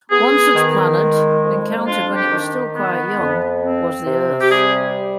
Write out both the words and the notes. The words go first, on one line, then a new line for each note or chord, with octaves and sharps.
One such planet, encountered when it was still quite young, was the Earth.
B3 G#4
D#3
G#3
F2
D4 F4
G4
D#3
B3
F2
C4
C3
G4
G3 G#4